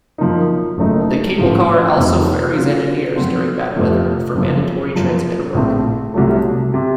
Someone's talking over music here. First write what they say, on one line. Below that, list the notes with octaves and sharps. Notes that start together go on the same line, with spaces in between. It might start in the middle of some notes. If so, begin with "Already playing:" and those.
The cable car also ferries engineers during bad weather, for mandatory transmitter work.
F#2 F3 A#3 D#4
F#1 F#2 D#3 A3 D#4
A1 A2 F3 A3
F1 F2 D#3 F#3 A#3
C#3 F#3 A#3 F4
F#2 F3 C4 F#4 C5
F2 C3 F3 A3
F#1 F#2 C#3 F3
F#2 F3 A#3
A#1 A2 A3 C4
C2 C3 F#3 A3
C3